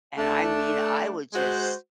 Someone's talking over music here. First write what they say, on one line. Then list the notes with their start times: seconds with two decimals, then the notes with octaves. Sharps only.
and I mean, I would just
0.18 A3 D4
1.34 G#3 F#4 C5